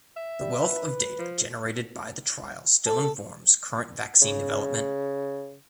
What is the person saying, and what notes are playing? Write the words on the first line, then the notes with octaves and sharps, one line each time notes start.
The wealth of data generated by the trial still informs current vaccine development.
E5
G3
B4
F3
A4
C#3